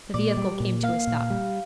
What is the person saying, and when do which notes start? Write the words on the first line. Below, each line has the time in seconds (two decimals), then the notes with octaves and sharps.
The vehicle came to a stop.
0.14 A#2 D5
0.37 G3
0.60 A#2
0.83 A#3 F5
1.07 A#2
1.30 G3